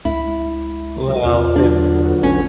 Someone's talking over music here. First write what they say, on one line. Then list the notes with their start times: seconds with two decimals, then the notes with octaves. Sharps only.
Well, it
0.05 C#2 E4
1.08 F#3 A#4
1.24 E2 C3 F4
1.56 D3 F#3 B3 D4
2.23 A1 C#4